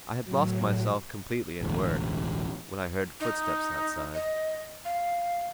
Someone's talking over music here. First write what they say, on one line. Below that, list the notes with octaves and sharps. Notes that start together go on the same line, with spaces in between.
I had lost myself completely in work, when I heard footsteps outside.
A2 F#3
E1 A1 D2
D#4
D#5
F5